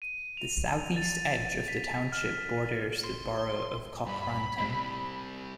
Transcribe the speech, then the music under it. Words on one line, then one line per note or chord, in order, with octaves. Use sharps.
The southeast edge of the township borders the borough of Cochranton.
D#7
F7
A6
B6
F6
C6
G2 B5
G3 C4